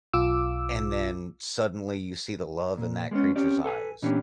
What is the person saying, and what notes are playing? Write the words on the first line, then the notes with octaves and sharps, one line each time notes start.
and then suddenly you see the love in that creature's eyes,
B1 F4 D6 E6
A#2
G#3 A#3 B3 C#4
C4 C#4 G4 D5
A4 B4 G#5
A#2 E3 B3 C#4 D4 G4